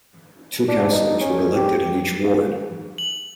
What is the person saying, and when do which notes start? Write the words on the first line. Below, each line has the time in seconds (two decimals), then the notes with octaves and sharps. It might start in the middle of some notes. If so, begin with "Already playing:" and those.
Two councillors were elected in each ward.
0.68 D4
0.92 D#4
1.21 C#4
1.56 G4
2.98 F#7